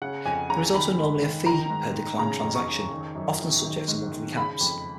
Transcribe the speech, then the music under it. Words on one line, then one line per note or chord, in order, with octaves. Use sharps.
There is also normally a fee per declined transaction, often subject to monthly caps.
C#3 F#5
F2 G#5
C#3 A#5
D#3 B5
G#2
D#3
D#3 A#5
G#2
D#3
C#3 A#5
F2
C#6
C#3
D#3
F#2
D#3
D#3
G#2
D#3
C#3 B5
F2